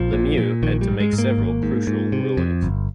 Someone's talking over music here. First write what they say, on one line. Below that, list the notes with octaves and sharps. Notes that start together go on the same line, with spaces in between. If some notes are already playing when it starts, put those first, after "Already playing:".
Lemieux had to make several crucial rulings.
Already playing: A#1 F3
A#2
A#2
A#1 D#3
G3
G#2
G#3
G#2
A#3
G#1
G#2
G#2
C3
F2
G1